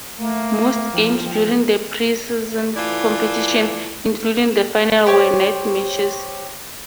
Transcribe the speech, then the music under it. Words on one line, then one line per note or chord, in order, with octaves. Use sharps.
Most games during the pre-season competition, including the final, were night matches.
A3 A#3
F3 G5
E3 F4 A4 D5
G4 C5 C#5